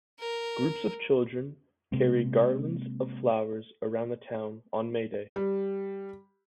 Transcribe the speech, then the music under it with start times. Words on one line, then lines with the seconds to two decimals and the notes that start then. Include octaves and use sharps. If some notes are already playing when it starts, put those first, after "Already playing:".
Groups of children carry garlands of flowers about the town on May Day.
0.19 A#4
1.92 C3 G#3 A#3 C4
5.36 G3